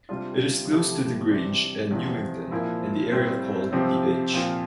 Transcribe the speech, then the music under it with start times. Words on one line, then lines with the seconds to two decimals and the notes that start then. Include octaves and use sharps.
It is close to The Grange and Newington and the area called the Inch.
0.09 C3 G3 D4 F4
0.70 C3 F3 A3 E4 G4
1.30 C3 E3 G3 D4 G4
1.91 E2 C3 F3 C4
2.51 A#2 F3 A#3 E4
3.12 A2 G3 C4
3.72 C3 F3 C4 G4
4.33 A#2 F3 C4 F4